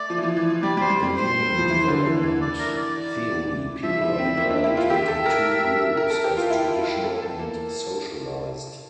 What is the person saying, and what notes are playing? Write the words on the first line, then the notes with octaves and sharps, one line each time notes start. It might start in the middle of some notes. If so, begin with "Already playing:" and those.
In human development theory, people are divided into two groups as traditional and socialized.
Already playing: A3 D5
F3
E3
F3
E3
E3
G3 D5
G3 C5
G3
G3
C5
F3
E3
D3
E3
E3
D5
A#4
D5
F3 E5
E4
C4
A#3
D4
E4
F4
G4 E5
A4
A#4
A#4
A4
G4
F4
E4
F4
E4
A4
A4
A#3